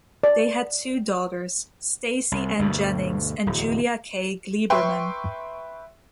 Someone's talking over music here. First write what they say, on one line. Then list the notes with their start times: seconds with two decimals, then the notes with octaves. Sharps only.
They had two daughters, Stacy Ann Jennings and Julia Kay Glieberman.
0.23 D5
2.32 C2
2.59 D2 G2 B2
3.46 D1 E2
4.70 B4 E5 G5 C6 C#6